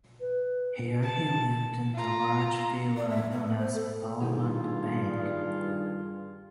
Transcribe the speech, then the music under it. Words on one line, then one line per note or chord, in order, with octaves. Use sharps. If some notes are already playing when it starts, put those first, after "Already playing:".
Here he lived in the large villa known as Polmont Bank.
B4
A5
F4 A#5
D5
E5
B3
B3
C5
A4
G2 D#3 B3 E4 F4 G4 G#4